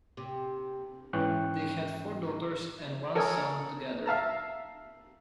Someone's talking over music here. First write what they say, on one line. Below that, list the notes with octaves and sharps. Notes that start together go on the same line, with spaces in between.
They had four daughters and one son together.
C3
G#2 E3 C#4 G5 C#6 F#6
A4 A#4 C#5 G#5 D#6 E6
E5 F5 A5 A#5